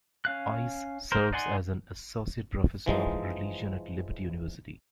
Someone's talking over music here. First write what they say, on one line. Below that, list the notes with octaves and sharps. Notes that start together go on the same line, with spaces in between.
Ice serves as an Associate Professor of Religion at Liberty University.
C#4 F5 F#6
A#4 C5
D#4 D5 F#5 G#5 C6
E3 F3 G#3 D#4